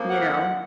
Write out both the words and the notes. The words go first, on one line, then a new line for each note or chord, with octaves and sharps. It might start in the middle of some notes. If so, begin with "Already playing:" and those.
You know?
Already playing: F2 F3 A#3
F#5
F#5